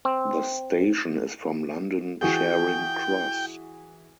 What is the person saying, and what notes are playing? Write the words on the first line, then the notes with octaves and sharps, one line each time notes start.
The station is from London Charing Cross.
C4
E3 F#4 G#4 G5